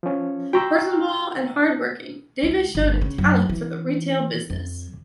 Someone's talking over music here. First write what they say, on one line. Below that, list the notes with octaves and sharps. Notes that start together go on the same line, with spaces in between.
Personable and hard-working, Davis showed a talent for the retail business.
F3 C#4
F#4 G5 A#5 C#6 E6
C#2
G1
C#3
F#2
E3
F2